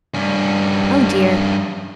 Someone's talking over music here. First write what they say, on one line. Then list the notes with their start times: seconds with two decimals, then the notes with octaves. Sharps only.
Oh dear!
0.14 G2 C#4